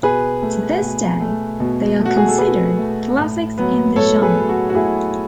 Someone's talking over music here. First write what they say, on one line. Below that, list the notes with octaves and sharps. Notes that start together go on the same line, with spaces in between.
To this day, they are considered classics in the genre.
B2 G#4 B4
A3
B2
A3
B2
A3
F#4
G#4
A4
B2 G#4 B4
A3
A2
F#3 B3
A2 A4 C#5
G#4 B4
F#3 B3
F#4 A4
F#4
A2 E4 G#4